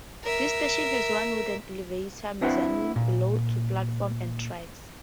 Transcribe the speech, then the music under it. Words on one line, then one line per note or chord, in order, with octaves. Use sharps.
This station has one wooden elevated mezzanine below the platforms and tracks.
A#4 E5
C4 D4 E4 B4 C5 F#5
A#2